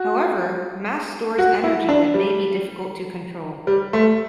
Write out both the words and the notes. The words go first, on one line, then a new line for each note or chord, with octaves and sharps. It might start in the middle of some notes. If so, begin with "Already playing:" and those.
However, mass stores energy that may be difficult to control.
Already playing: F#4
F#4
E4
D4
G3
G3
A3